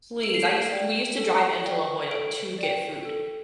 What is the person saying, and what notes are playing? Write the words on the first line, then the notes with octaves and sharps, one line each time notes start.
Please. I used we used to drive into La Jolla to get food.
A4 D7
C7
B6
C7
D5 G5
A4
D5 G5
A4 D7
D5 G5
A4